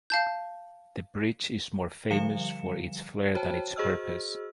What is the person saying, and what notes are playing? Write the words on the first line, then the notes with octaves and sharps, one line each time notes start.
The bridge is more famous for its flair than its purpose.
F5 A5 G6
D3 F3 G3 F5 C#7 E7
F#4 C5 C#5 G5 A5
F#4 G#4 C5 D#5 E6 F6